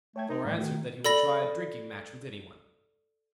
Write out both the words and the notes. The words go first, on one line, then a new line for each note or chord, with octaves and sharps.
Thor answered that he would try a drinking-match with any one.
A3 C#5 G5 G#6
D#4 A#4
A2 G3
D#3 A3 F#4
A4 D5 B5 A#6 F#7